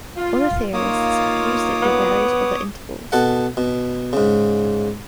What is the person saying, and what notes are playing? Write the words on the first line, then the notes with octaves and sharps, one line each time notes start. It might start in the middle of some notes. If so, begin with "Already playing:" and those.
Other theorists have used it for various other intervals.
F4
A#3 D#4 F4 C#5 D6 D#6
B3
B2 A4 F#5
B2
G#2 C#3